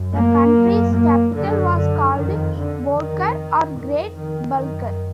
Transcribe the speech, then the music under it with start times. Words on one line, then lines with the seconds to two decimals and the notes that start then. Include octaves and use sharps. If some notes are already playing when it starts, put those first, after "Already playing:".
The country's capital was called Bolghar or Great "Bulgar".
Already playing: F#2
0.14 A#3
0.54 F#2
0.94 A#3
1.34 F#2 D3
1.75 D3
2.15 F2 D#3
2.56 D3
2.97 F2 D#3
3.77 F2 D#3
4.17 D#3
4.57 F#2 D#3